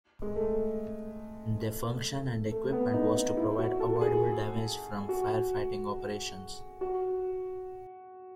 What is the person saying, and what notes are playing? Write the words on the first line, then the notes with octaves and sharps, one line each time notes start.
Their function and equipment was to prevent avoidable damage from fire fighting operations.
G#3
A3
A3
B3
D#4
D#4
E4
F#4
A4
G#4
F#4
F#4